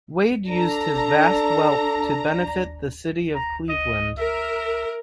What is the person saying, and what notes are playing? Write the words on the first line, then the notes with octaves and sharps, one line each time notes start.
Wade used his vast wealth to benefit the city of Cleveland.
D4 A4 A#5
A#5
D#5
A#4 E5